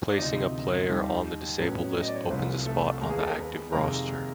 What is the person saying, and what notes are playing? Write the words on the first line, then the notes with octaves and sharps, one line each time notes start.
Placing a player on the disabled list opens a spot on the active roster.
D5
D2 C3 F3 D#4 D#5
D#2 D#3 G3
A2 F#3 B3 C#4 C#5
D#5
D5
C#5
C5
C2 C3 F3 A3 B3 B4
A3 A4
D#2 D#3 G#3 A#3 B3 A#4
G#4
A4
A#4
B3 B4
F2 C3 D#3 G#3 A#3 A#4